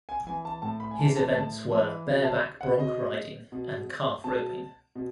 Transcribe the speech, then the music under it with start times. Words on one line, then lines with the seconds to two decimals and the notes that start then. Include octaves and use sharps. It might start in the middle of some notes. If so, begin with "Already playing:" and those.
His events were bareback bronc riding and calf roping.
0.09 G#5
0.27 E3 G#5
0.45 A5
0.62 A2 A5
0.80 B5
0.91 G#5
0.99 E3 A5
1.16 A5
1.35 A2 A5
1.70 E3 A5
2.06 B2
2.24 A5
2.61 F#5
2.79 B2 D#5
3.52 B2
4.24 B2 A5
4.95 B2